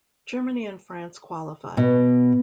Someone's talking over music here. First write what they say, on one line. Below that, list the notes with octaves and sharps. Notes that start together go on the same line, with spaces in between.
Germany and France qualified.
B2